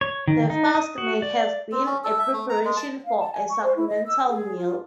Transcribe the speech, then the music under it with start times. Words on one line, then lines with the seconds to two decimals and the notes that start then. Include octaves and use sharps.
The fast may have been a preparation for a sacramental meal.
0.01 C#5
0.28 D#3
0.50 D#4
0.75 D#6
0.98 F#4
1.22 D5
1.72 C4
1.86 C#4
2.04 A4
2.19 E5
2.33 A3
2.50 A#5
2.65 G#3
2.77 A5
3.05 F5
3.18 A5
3.33 G#5
3.50 C#6
3.64 C5
3.76 E4
3.88 D#5
4.06 E6
4.29 G#4
4.56 F4